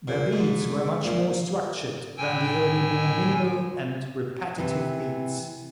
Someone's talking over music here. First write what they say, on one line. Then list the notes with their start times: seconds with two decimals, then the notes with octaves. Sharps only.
Their beats were much more structured than the early more minimal and repetitive beats.
0.08 A#2
0.33 G#2
1.04 A#2
2.17 A2 G5 G#5 E6
4.58 C3 E3